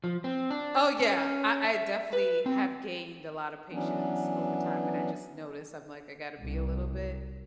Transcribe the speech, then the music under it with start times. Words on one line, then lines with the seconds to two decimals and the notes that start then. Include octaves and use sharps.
Oh yeah, I I definitely have gained a lotta patience over time and I just noticed, I'm like, "I gotta be a little bit
0.04 F3
0.24 C4
0.51 D4
1.00 C#4
1.65 E5
2.13 B4
2.46 C4
3.72 E3 F#3 B3 C#4 D4
6.41 C2